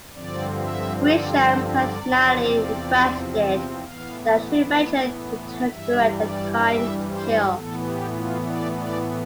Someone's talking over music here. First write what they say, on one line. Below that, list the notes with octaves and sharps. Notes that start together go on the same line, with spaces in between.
Grisham personally requested that Schumacher return to direct "A Time to Kill".
G2 D3 F3 C4 D5
E5
D5
C5
D5
E2 C3 F3 C4
A2 E3 B3 F5
G2 E3 G3 E5
D5
E5
C5
A2 E3 B3 A4
G4
F4
D5
D5